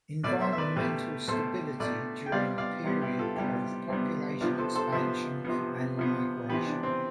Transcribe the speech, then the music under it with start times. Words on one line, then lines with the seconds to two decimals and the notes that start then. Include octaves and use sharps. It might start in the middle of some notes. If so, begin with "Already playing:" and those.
Environmental stability during the period drove population expansion and migration.
0.24 B2 B4 D5
0.27 A3
0.41 C5 E5
0.53 E5
0.58 B4 D5
0.76 B2 A3 G4 B4
1.28 B2 A3 A4 C5
1.80 B2 A3 B4 D5
2.26 G5
2.32 C3 G3 B3 D5 F5
2.58 D5 F5
2.84 C3 G3 B3
3.01 E4 G4
3.19 F4 A4
3.36 C3 G3 B3 E4 G4
3.89 C3 G3 B3
4.41 C3 F3 B3 D4 F4
4.58 A4 C5
4.75 A4 C5
4.92 C3 F3 B3 C5 E5
5.45 C3 F3 B3
5.97 C3 F3 B3
6.49 C3 E3 B3 G4 B4
6.66 D4
6.83 C4